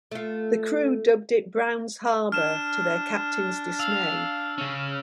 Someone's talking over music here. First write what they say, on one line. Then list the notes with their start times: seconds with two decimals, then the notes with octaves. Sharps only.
The crew dubbed it "Brown's Harbor" to their captain's dismay.
0.11 A3 F4
2.32 D4 F6 E7
3.80 F5 E6
4.58 C#3 C#4